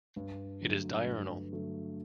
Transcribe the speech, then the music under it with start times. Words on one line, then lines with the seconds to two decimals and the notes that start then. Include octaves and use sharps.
It is diurnal.
0.16 G2
0.61 D3 F#3 A3
1.06 G2
1.52 D3 F#3 A3